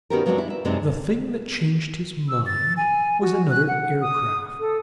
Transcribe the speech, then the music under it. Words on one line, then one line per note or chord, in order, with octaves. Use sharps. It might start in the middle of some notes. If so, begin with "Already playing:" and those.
The thing that changed his mind was another aircraft.
D#3 B3 C#4 F#4 G4 A#4
F3 F#3 G#3 C4 D4 F#4
E4
E5
F#2 C3 G#3 C4 D4 D#4
E6
A6
G#5
F#4
F#6
F#5
D#6
A4